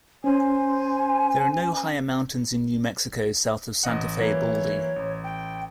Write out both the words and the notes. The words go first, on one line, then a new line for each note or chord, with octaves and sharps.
There are no higher mountains in New Mexico south of Santa Fe Baldy.
C#4 C5 G#5
A1 D#5 F#5
E3 F#3 A#3 C#5
A1
G5